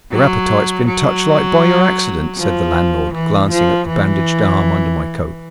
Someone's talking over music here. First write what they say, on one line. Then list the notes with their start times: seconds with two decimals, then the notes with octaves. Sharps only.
"Your appetite's been touched like by your accident," said the landlord, glancing at the bandaged arm under my coat.
0.12 F#3
0.86 F#3
2.37 F3
3.13 E3
3.51 F3
3.87 E3